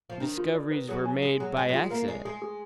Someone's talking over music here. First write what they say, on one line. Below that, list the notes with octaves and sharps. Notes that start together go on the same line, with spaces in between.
Discoveries were made by accident.
F3
D#3 D4
F4
D5
B4
F#3 G#4
G#5
G#3 G#4
F#3 G#4
G#3 G#5
F#3
G#3 F4
A#3 A#4
G#3 D5
G#3 G#4
G#4